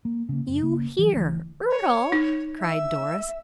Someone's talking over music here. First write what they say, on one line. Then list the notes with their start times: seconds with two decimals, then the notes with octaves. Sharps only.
"You here, Earle!" cried Doris.
0.05 A#3
0.29 C#3 A#3
0.47 F#1
0.62 C#3 A#3
0.99 E3 F#3
1.13 D2 E3
1.69 C#5
2.12 D#4
2.62 E5 E6